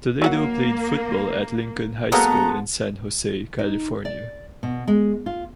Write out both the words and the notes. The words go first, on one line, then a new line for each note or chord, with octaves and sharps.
Toledo played football at Lincoln High School in San Jose, California.
F#3 A#3 G#4 F#5
F#3 G#3 A#3 B3 A4 A#5
D#4
D5
B2
G#3
F4